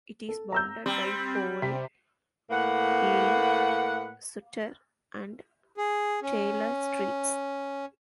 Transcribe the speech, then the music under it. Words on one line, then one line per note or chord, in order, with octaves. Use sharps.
It is bounded by Powell, Geary, Sutter, and Taylor Streets.
A4
A#5 E6 G6
G3 C4
C3 B6
A2 A#3 B4 F#5
G#4
C#4